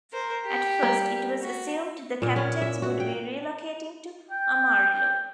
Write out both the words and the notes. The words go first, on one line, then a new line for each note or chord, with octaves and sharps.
At first it was assumed the Captains would be relocating to Amarillo.
A#4 C5
G4
G3 A#3
F#4
A#2
C#4
E5
F#4
G5
G5